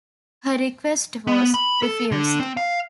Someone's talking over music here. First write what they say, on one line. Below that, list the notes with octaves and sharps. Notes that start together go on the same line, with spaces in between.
Her request was refused.
B3
B5
A4
D3
C4
F5